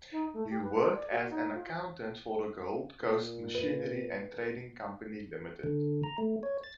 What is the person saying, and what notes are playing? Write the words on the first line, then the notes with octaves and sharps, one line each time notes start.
He worked as an accountant for the Gold Coast machinery and trading company limited.
D#4
A3
G4
B4
C6
D5
F#4
D#4
F4
A#2
B4
D3
A#5
A3
C#5
A6